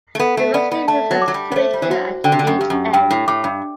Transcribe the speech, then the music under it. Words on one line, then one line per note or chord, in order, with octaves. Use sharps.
The rustic rooms are situated at each end.
A3
B3 A4
A3
B3 D5
B3
A3 A5
F#3
D6
F#3
G3
B3
A3 C5
G3
E3
F#3 F#4
D3 G5
C3
D3
F#2
G2 G4
F#2
G2 G5
A2
A2 D6
G2